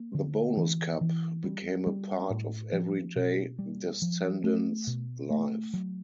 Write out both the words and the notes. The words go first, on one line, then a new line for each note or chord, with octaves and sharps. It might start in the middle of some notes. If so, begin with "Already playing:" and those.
The Bonus Cup became a part of everyday Descendants life.
Already playing: A#3
D3
E3
E3
G3
G3
A2
F3
B2
G3
F3
A3
B2
A3
F#3